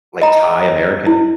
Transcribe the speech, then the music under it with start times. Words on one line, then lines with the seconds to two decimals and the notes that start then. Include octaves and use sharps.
like, Thai-American
0.22 D#5 A#5
1.07 E4